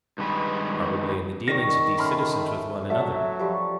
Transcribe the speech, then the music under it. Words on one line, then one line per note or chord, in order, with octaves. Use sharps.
Probably in the dealings of these citizens with one another.
G2 D#3 G#3 B4
D#3 D5 C#6 A#6
A3 C#4 B5 C6 D6 F6
E5
F#3 A3 A4 E5 F#5
F3 G3 C#6